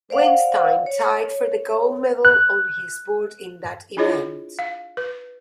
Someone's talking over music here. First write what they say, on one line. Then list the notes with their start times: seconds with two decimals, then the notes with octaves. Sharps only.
Weinstein tied for the gold medal on his board in that event.
0.10 C5 D5 F5 F#5
0.86 C#5
2.25 F#6
3.97 D4 E4 F4 G#4 C#5 D#5
4.59 F5
4.97 B4